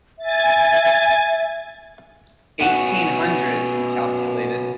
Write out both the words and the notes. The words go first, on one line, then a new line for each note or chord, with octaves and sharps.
Eighteen hundred, he calculated.
E5 G#5 A6
B2 C#4 F#5